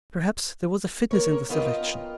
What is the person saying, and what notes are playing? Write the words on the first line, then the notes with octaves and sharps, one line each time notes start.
Perhaps there was a fitness in the selection.
A#3 A#4 C#5
F#2 B3 F4 A#4 D#5 G5